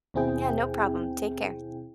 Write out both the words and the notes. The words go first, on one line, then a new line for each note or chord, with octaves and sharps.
Yeah, no problem, take care.
D#2 B2 C4 E4 G#4 G5